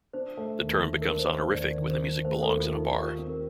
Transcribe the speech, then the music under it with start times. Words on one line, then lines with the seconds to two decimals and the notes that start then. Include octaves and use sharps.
The term becomes honorific when the music belongs in a bar.
0.13 D4 C5
0.37 A3
0.60 D#2
0.84 D#3
1.02 A#4
1.07 D4
1.19 C5
1.31 A3
1.37 C5
1.54 D#2 D5
1.78 D#3
1.90 C5
2.02 D4
2.25 A3 C5
2.42 A4
2.48 D#2
2.59 F4
2.71 D#3
2.77 D#4
2.94 F4 G4
3.18 C4
3.29 A#4